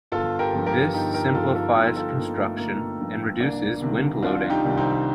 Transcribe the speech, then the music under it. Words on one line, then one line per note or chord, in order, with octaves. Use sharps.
This simplifies construction and reduces wind loading.
G1 F4 A4
G4 A#4
G2 F3
G4 A#4
G1 D#4 G4
G4 A#4
G2 F3 F4 A4
F4 A4
G1 F4 A4
F4 A4
G2 F3 A#3
A3
G1 A#3
G2 F3
C2 A#3 D4
C3 D#3 G3
C2 D4 F4
D#4 G4
C3 D#3 G3
C4 D#4